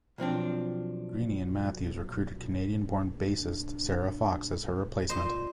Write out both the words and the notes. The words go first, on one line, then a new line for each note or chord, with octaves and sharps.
Greaney and Matthews recruited Canadian born bassist Sarah Fox as her replacement.
B1 F3 C4 D4
D4
F4 C5 D#5